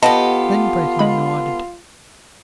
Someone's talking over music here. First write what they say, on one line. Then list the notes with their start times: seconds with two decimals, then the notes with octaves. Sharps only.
Then Breton nodded.
0.03 B3 F4 G4 A4 D#5 A5
0.99 G#3 B5